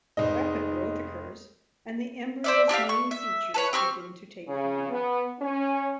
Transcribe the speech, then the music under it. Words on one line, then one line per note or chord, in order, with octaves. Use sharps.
Rapid growth occurs and the embryo's main features begin to take form.
F1 G#2 D#5
C5 D5 E5
D4 G4 E5 F5
C#6
E5
A4 B4 C#5
C4 G4 C#6 F6
C#3
B3
C#4